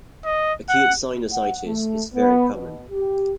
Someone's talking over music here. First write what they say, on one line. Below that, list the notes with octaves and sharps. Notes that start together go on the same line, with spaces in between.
Acute sinusitis is very common.
D#5
F#5
F#5
A3
B3
B2
G4